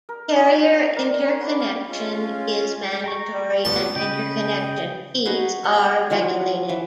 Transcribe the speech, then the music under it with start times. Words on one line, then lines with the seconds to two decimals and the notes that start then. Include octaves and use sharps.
Carrier interconnection is mandatory and interconnection fees are regulated.
0.09 A#4
0.34 F4 D#5 G5
0.97 C4 D4 A#4
1.21 C#4
1.40 F#5 B5 C#6 D6
1.60 F5
1.89 G#3 C#4 F4
3.04 G5 A#5 C#6
3.34 G3
3.65 A3 B3 F4 G4 A5
3.96 C#3 B4 D#5 G5
5.25 D#4 F#4 G#4 B4
5.64 B3
6.10 F3 F#3 E4 G5
6.69 E3